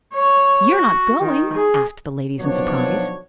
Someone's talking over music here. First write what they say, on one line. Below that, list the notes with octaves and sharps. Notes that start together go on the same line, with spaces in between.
"You are not going?" asked the ladies in surprise.
C#5
F#4
D#3
G#4
B2 D#3 F3 F#3 D4 C#5